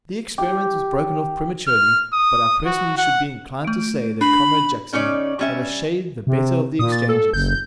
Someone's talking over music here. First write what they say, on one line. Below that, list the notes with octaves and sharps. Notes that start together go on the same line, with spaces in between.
The experiment was broken off prematurely, but I personally should be inclined to say that Comrade Jackson had a shade the better of the exchanges.'
G4
F6
D#6
F#4
F#5
A3 D7
D4 B5
C#3 C#4 D#4 C#5 D5
G3 C#4 E5
C3
A#2 D#6
A6
A4
F#1 G6